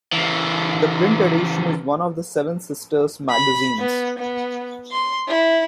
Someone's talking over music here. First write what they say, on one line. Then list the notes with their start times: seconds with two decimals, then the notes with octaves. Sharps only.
The print edition is one of the Seven Sisters magazines.
0.12 C#3 E3
3.29 B5
3.79 B3
4.19 B3
4.91 C6
5.28 E4